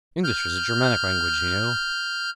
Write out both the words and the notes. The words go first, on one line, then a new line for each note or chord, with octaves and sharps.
English is a Germanic language, you know.
F6 G6